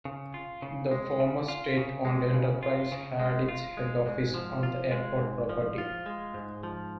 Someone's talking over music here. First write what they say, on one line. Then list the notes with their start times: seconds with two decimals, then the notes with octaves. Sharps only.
The former state-owned enterprise had its head office on the airport property.
0.05 C#3
0.34 F4
0.62 C#3
0.91 G#3
1.20 C#3
1.48 F4
1.77 C#3
2.05 G#3
2.34 C#3
2.63 F4
2.92 C#3
3.20 G#3
3.49 F4
3.77 G#3
4.06 G#2
4.34 F3
4.63 F4
4.91 G#3
5.20 G#2
5.49 F3
5.78 F4
6.06 G#3
6.34 G#2
6.63 F3